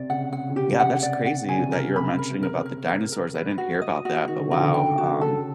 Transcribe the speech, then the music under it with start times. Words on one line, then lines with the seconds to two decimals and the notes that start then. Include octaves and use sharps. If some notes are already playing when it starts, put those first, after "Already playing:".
yeah, that's crazy that you're mentioning about the dinosaurs, I didn't hear about that, but wow, um,
Already playing: C3 D5
0.09 C#3 F#5
0.33 F#5
0.49 C#3
0.56 C3 G4
0.79 F#5
1.03 D5
1.26 F#5
1.49 C#3 G#5
1.58 C3
1.69 C#3 A#4
1.96 B5
2.18 A#4
2.43 A#4
2.66 A#4
2.89 A#4
3.12 A#4
3.35 B4
3.58 F#4
3.82 D#5
4.05 F#4
4.28 D#3 F#4
4.39 D3
4.49 C#3 F#4
4.60 D3
4.74 G5
4.98 F#4
5.11 D3
5.21 C#3 A4